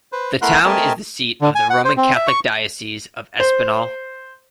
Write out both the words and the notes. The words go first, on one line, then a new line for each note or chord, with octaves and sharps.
The town is the seat of the Roman Catholic Diocese of Espinal.
B4 C5
A3 B3 E4 A#4 C6 F#6
A3 C4 A#4 D#5 G#5 A5
D3
G#5
F#5
C5
C4
E5
C#6
C5